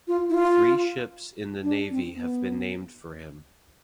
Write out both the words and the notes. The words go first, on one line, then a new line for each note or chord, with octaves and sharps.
Three ships in the Navy have been named for him.
F4
E4
F4
D4
C4
B3